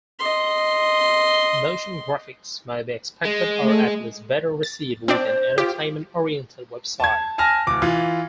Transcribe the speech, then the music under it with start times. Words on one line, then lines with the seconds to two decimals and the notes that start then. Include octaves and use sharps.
Motion graphics may be expected or at least better received with an entertainment-oriented website.
0.20 D#5 C6
3.25 G#3
3.60 A3
4.63 A6
5.08 C4 D4 C5 D5
5.58 F4 G4
7.00 A5 G#6
7.38 G#5 A5 F6 A#6
7.67 D1 D6
7.82 E3 F4